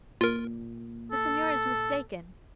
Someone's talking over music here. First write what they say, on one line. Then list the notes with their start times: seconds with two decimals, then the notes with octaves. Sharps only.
'The Signor is mistaken.
0.21 A#2 F4 A#4
1.12 A4